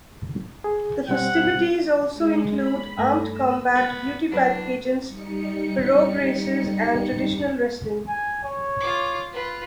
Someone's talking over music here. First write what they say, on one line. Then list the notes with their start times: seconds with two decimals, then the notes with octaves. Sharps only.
The festivities also include armed combat, beauty pageants, pirogue races, and traditional wrestling.
0.64 G#4
1.09 B2 G3 C4 F#5
2.15 G#3
2.58 B5
2.98 G2 A3 A#6
3.32 E6
3.75 B3 A#4 B4
4.32 F#3 D4 E4 B4
5.04 G3 D#4 C#7
8.08 G#5
8.44 C#5
8.81 F4 D6
9.33 F4 B4